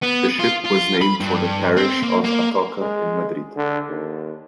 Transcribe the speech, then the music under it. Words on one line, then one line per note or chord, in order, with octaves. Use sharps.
The ship was named for the parish of Atocha in Madrid.
B3
F4
F4
B5
G2
C4
A#3
A#3
G#3
D3
D#2